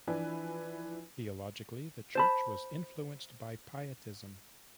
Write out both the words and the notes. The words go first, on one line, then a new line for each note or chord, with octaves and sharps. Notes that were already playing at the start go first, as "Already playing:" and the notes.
Theologically, the church was influenced by pietism.
E3 F3 D4 E4 B4 G#5
C5 A5 B5